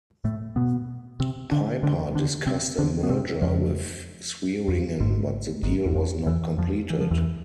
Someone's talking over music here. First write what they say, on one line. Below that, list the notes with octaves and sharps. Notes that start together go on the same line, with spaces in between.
Piper discussed a merger with Swearingen but the deal was not completed.
A2 A3
B2 B3
C3 C4
D3 D4
D3 D4
D3 D4
C3 C4
D3 D4
B3
C3 C4
F2 F3
F2
G#1 G#2
G#1 G#2
E2
F2
E2 E3
F2 F3
E3
F3
E2 E3